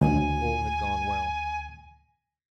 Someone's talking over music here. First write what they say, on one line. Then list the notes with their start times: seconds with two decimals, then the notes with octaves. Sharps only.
All had gone well.
0.01 D2 G#5